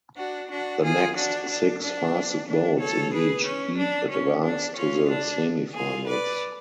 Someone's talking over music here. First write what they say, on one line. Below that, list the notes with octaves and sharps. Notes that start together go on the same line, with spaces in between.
The next six fastest boats in each heat advanced to the semifinals.
D4 F#4
D4 F#4
F4 G#4
D4 F#4
D4
D4
D4
A4 C#5
G#4 B4
C#4
D4
C#4
D4
C#4 F4
D4
F4 G#4
B4 D5